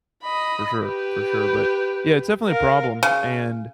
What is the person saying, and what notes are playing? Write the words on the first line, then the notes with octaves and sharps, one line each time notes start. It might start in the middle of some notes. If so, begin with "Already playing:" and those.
For sure. For sure, but, yeah, it's definitely a problem, and
D#5 B5
G4 B4
A#4 F5
C#3